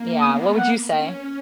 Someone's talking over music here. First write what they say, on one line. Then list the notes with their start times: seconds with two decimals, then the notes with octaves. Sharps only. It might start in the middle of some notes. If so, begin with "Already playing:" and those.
Yeah, what would you say?
Already playing: A#3
0.20 B3 D#6
0.58 F#5
0.95 C#4